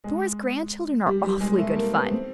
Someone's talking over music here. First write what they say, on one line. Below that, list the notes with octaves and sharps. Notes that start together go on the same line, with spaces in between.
Nora's grandchildren are awfully good fun.
G#3
G3
G3
G#3
A3
A#3
B3
C4